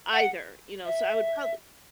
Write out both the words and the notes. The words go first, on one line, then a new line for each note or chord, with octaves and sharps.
either, you know, so I would probably
F#5
E5